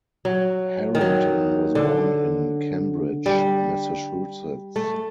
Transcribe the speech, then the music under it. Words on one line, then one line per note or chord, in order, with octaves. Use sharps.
Harrington was born in Cambridge, Massachusetts.
F#3
D#3
F#3
D3
G3
A3